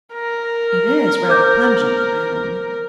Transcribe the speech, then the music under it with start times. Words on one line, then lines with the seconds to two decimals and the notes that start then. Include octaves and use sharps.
"It is rather pungent," I owned.
0.15 A#4
1.29 C5 D6 G6